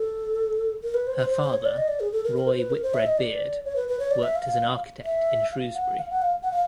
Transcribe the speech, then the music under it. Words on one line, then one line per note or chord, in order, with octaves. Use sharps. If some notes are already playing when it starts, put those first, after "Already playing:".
Her father, Roy Whitbread Beard, worked as an architect in Shrewsbury.
Already playing: A4
A#4
B4
C5
C5
C5
C5
C#5
D5
D#5
D5
G#4
A4
A#4
A#4
C5
B4
A#4
C5
E5
D#5
D5
C#5
B4
B4
C#5
D5
E5
F5
F5
E5
F5
F#5
F5
F#5
F5
F#5
F5